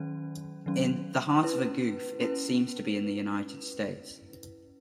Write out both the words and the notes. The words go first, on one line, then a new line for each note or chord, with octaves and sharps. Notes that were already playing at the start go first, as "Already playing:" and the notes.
In "The Heart of a Goof", it seems to be in the United States.
Already playing: D#3 F#3 C#4
D#3 F#3 C#4
C#4 E4 B4
C#4 E4 B4